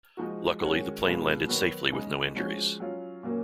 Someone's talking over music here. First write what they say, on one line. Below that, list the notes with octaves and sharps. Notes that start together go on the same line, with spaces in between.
Luckily, the plane landed safely with no injuries.
F3 G#3 D#4 F#4
D#3 G#3 C#4 F#4
B2 G#3 B3 F4
D#3 F#3 B3 F#4
C#3 G#3 D#4
F3 G#3 C#4 F#4
F#3 C#4 F4
A#2 F#3 A#3 C#4